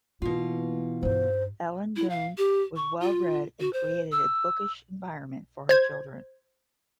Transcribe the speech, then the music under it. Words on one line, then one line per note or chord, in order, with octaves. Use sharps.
Ellen Dunne was well-read, and created a bookish environment for her children.
B2 E3 A#3 F4
G2 D#4 C5
E4
F5
G4
C#6
F4
F#4
C5
E6
C5 G#6